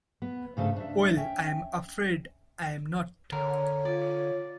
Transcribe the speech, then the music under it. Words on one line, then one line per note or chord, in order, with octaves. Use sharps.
Well, I am afraid I am not.
B3
G#2 C#3 A3 D4 A4
D4 E5
C#4 E5 G5
D3 A#4 C#5
F4 D5